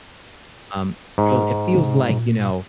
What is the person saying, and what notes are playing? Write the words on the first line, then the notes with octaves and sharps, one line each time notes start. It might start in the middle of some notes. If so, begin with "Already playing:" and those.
um, it's feel it feels like, you know,
G#2
C3
A#2